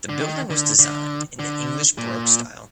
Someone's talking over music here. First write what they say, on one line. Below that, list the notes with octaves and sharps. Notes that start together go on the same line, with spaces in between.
The building was designed in the English Baroque style.
D3
D#3
D3
D3
D3
A#2